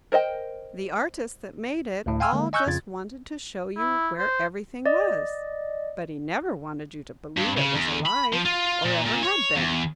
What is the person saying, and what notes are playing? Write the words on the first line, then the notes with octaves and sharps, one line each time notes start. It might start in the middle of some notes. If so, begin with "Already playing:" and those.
The artist that made it all just wanted to show you where everything was; but he never wanted you to believe it was alive, or ever had been.
A#4 C5 D#5 G5
D2 A2
F5 G5 G#5 C6 E6 F6
D3 G#3 A#3
D#5 G#5 C#6 E6 F#6 G6
F2 C#3 F4 G#6 A6
E4
C5
D5 D#5
G2
C#3
E2
B5
F3
F4
A#2
A#2
C#5
E2